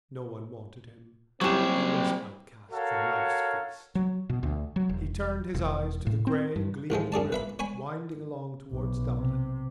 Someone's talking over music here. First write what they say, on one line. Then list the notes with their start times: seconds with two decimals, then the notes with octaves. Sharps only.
No one wanted him; he was outcast from life's feast. He turned his eyes to the grey gleaming river, winding along towards Dublin.
1.41 F#3 G3 C4 E4 G4 G#4 C#5 E7
2.72 F#4 A4 A#4 C#5 F5
3.95 F#3
4.29 B2
4.43 D2
4.76 F#3
4.89 E1
5.55 E1
6.07 A2
6.27 C4
6.56 G2
6.90 C2 A2 F3 G#3
7.12 F#2 G#4 D5 A5
7.32 B4 E5 B5
7.59 C#5 G#5 B5
8.71 B1
9.17 C3